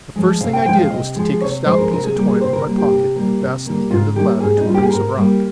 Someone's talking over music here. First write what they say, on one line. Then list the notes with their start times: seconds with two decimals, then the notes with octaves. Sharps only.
The first thing I did was to take a stout piece of twine from my pocket and fasten the end of the ladder to a piece of rock.
0.16 F3 G#3
0.41 C3 F5
0.53 G5
0.65 F3 G#3 G5
0.79 F5
0.90 C3 D#5
1.16 F3 G#3
1.41 C3 C#5
1.66 F3 G#3 C5
1.79 A#4
1.91 C3 A#4
2.04 G#4
2.16 G3 A#3 G4
2.28 G#4
2.40 C3 C5
2.53 A#4
2.66 G3 A#3
2.78 G4
2.91 C3
3.16 G3 A#3
3.41 C3
3.66 G3 A#3
3.91 G#2 F4
4.16 G3 G4
4.20 A#3
4.40 G#2 G#4
4.57 D#4
4.66 G3 A#3 F4
4.75 G4
4.83 G#4
4.91 G#2 A#4
5.16 G3 A#3